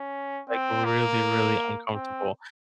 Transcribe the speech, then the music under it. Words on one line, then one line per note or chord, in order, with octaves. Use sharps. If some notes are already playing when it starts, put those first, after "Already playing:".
like, really, really uncomfortable,
Already playing: C#4
C4
A#3
C4